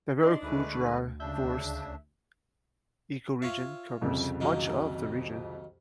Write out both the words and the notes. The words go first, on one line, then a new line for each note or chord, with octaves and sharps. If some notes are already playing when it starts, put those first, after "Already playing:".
The Veracruz dry forests ecoregion covers much of the region.
D4 D#4 D#5 C6
D2 G#3 A3 B4
C#2 C#3 D4 E5 G6
F4 C#5 E5
C2 F2 C#3
D#3 F#3 A#3